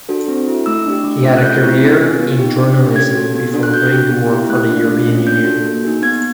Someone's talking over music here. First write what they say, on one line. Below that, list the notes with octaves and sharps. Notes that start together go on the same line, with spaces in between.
He had a career in journalism before going to work for the European Union.
D4 F#4 A4
C4
E4 A4
A3 E6
D4 G4
A3
C#4 F4
F#6
A3 G6
C4 E4 G4
C#4
F4 G#4
B3
D#4 G4
D4
G4
C#4 G#6
F#4 A4
B3
D4 F#4 A4
F#6
D4 G6
G4
B3
E4 G4
A3 F#6
D4 F4
A3
C#4 F4
D4 G6
F#4 A4
A#3
D#4 G#4
B3 G#6